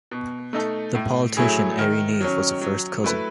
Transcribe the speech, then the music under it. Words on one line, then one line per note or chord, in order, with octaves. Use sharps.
The politician Airey Neave was a first cousin.
B2
A3 D#4 A4
A2
F#3 A3 E4 G#4
D#3
F#3 C#4
F#3
A3 E4 B4